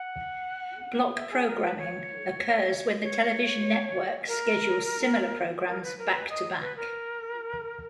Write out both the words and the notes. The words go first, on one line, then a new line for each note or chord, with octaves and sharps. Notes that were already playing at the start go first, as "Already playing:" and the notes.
Block programming occurs when the television network schedules similar programs back-to-back.
Already playing: F#5
E5
G#4
A#4
B4
C#5
C#5
A#4
A#4
B4
A#4
B4
D#5
B4
A#4